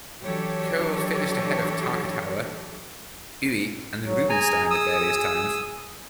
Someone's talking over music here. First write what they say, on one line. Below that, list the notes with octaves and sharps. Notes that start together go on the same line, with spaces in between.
Colle finished ahead of Tartakower, Euwe and Rubinstein at various times.
E3 F#3 D4 G4 A4 C#5
F#3
G#4 G#5 A#5
D#6 E6